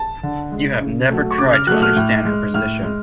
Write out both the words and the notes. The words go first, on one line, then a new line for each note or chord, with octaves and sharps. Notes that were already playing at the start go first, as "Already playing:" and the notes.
You have never tried to understand her position.
Already playing: A5
D3
G#3
C#3
F#3 A3
C#6
C#3 D6
F6
F#3 A3 F#6
F6
A2
G#3
A2 F6
G#3